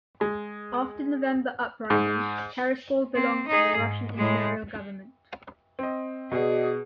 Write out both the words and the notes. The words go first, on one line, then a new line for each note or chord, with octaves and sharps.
After November Uprising, Terespol belonged to the Russian Imperial government.
G#3
G#2
C4
D#4 G#4
G#2
A2 G#3
C4 D#5
B2 F#4 G#4 D5 D#5